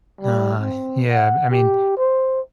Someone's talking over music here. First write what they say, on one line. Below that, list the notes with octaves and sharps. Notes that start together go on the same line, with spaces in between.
Nah, yeah, b I mean,
G3
C4
F#5
G4
C5